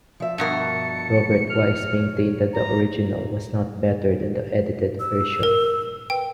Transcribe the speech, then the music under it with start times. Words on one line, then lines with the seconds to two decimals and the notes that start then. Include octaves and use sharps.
Robert Wise maintained that the original was not better than the edited version.
0.20 F3 E5
0.38 G2 B2 A#4 A5 C#7
1.50 F6
1.96 C#5
2.53 G#3 A#5
5.00 E6
5.43 A#4
6.10 B4 G5